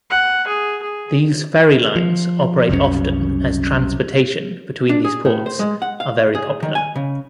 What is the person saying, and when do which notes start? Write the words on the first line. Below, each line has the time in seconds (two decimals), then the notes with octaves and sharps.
These ferry lines operate often as transportation between these ports are very popular.
0.10 F#5
0.48 G#4
0.83 G#4
1.96 F3
2.69 F#1 C2 F#2 C#4
4.89 D4
5.05 G#4
5.25 A2
5.46 C5
5.59 G#3
5.82 F#5
6.00 F5
6.35 G#4
6.63 D#3
6.75 G#5
6.96 C#3